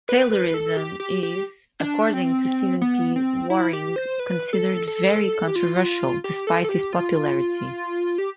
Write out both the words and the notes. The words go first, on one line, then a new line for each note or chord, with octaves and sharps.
Taylorism is, according to Stephen P. Waring, considered very controversial, despite its popularity.
B4
B4
A4
G4
G4
G4
D4
C4
B3
C4
E4
G4
C5
B4
A4
A4
G4
F4
G4
A4
A4
G4
F4
G4